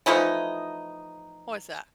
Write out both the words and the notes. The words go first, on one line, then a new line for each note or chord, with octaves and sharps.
What was that?
E3 F3 A3 D#4